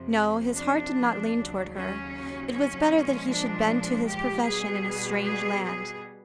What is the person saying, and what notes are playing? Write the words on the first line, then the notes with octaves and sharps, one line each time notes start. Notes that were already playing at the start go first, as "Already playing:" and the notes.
No, his heart did not lean toward her; it was better that he should bend to his profession in a strange land.
Already playing: F2 C3 F3
D4
D#2 C#3 F#3
C#4
C#4
A#2 F3 G#3
D4
G4
B2 G3 B3 G#4
G#4
G#4